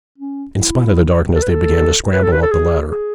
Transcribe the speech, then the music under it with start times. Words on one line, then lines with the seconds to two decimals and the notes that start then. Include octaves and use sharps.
In spite of the darkness they began to scramble up the ladder.
0.18 C#4
0.57 E4
1.35 A4
1.42 B4
1.50 A4
2.13 B4
2.23 A4
2.32 B4
2.42 A4
2.51 G#4
2.91 G#4